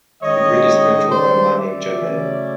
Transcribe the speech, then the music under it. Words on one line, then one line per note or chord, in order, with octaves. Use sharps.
The Grid is controlled by a man named Jumbo.
D#3 G#3 C#4 C#5 D#5
C5 D5
D5 E5
C#3 F#3 A3 C#4